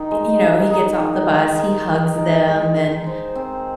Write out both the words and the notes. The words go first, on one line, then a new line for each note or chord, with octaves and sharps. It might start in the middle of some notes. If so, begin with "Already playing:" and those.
y you know, he gets off the bus, he hugs them, and,
Already playing: D#3 D#4
G#3
D#3
D#4
D#3
G#3
D#3
D#4
D#3
G#3
D#3
C5
C4